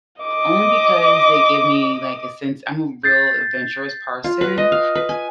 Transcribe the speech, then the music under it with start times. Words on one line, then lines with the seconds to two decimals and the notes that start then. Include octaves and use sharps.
only because they give me like a sense I'm a real adventurous person,
0.22 D#5 D6
3.03 G6 A6 C7
4.24 F4
4.41 B4
4.58 D#5
4.72 F5
4.95 B4
5.09 G#5